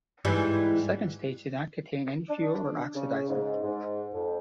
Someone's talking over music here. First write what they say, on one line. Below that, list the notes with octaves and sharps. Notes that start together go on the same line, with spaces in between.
The second stage did not contain any fuel or oxidizer.
G#2 E3 G3
D4
C#3
G#2
G#2
F2